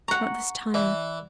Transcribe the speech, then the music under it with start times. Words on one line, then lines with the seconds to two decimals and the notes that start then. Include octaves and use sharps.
Not this time.
0.08 F#5 A#5 C#6
0.74 E3 D5